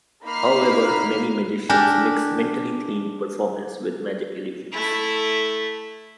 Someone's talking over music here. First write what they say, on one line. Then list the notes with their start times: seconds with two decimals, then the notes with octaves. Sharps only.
However, many magicians mix mentally-themed performance with magic illusions.
0.24 A#3 D#4 B5 F6 C7
1.70 D4 G4 A#4 G#5
4.72 A3 E4